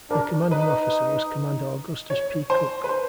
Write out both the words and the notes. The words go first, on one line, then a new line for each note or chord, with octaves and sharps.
Her commanding officer was Commander Augustus P. Cooke.
D4 A#4
D#4 B4
C#5
C5
B4
C5